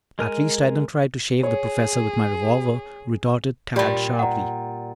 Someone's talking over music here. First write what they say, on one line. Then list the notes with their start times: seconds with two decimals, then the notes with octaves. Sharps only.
"At least I don't try to shave the professor with my revolver," retorted Tad sharply.
0.19 G#3 A#4 G#5
1.43 G#4 C#5
3.76 A#2 G3 G4 D5 B5
4.19 F#5 A#5